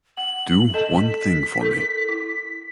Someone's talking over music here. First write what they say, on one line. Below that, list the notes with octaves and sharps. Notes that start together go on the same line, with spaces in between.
Do one thing for me.
F#5 F#7
A4 D#5 A5 E7
B6
E4 A4 A#4
E4